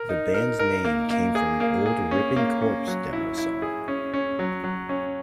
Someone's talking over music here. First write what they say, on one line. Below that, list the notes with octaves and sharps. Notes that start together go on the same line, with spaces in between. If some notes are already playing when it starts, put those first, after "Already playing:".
The band's name came from an old Ripping Corpse demo song.
Already playing: A#4
D#4
A#4
A#4
A#3
A#3
G#4
A#3
G#4
C#4
A#3
C#4
F#3
E4
E4
G#4
C#4
C#4
F#3
F#3
C#4